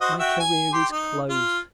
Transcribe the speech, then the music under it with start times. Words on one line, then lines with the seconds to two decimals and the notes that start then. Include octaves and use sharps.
My career is closed.
0.01 F#4 C5 D#5
0.19 F#4 E5 G5
0.40 G#5
0.73 G4 G5 C6
0.91 D#4
1.29 F4